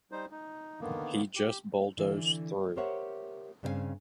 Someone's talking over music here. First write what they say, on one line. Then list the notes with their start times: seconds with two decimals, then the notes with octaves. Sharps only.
He just bulldozed through.
0.12 G3 D#4 C5
0.31 D#4
0.81 D3 D#3 A#3 B3
1.35 G4
1.98 D3 E3
2.76 G4 A#4 C5 C#5 E5 F#5
3.63 G2 C#3 C4 A#4 F5 G#5